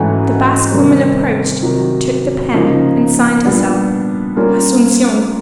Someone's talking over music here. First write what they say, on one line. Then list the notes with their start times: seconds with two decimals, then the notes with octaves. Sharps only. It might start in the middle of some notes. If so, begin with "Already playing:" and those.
The Basque woman approached, took the pen, and signed herself, ASUNCION.
Already playing: G#2 E3 A3 C#4 F#4
0.71 C3 D#3 G3 C4
1.63 C3 D#3 F#3
2.53 C#3 F3 A#3 D#4
3.44 A#2 G3 B3 D4
4.36 G3 A#3 C#4 F4 A#4